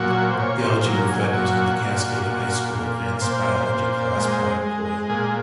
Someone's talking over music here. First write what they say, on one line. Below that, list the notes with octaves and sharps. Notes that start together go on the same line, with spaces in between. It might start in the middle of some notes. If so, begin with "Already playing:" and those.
The algae were fed using the Cascade High School Advanced Biology Class Biocoil.
Already playing: A#2 F#3 F#4
C5
A#2 C#5
C5
F#3 A#4
G#4
A#2 F#4
A#2
A#2
A#2
A#2 C5
A#2
G#3
G#3
A#2 G#4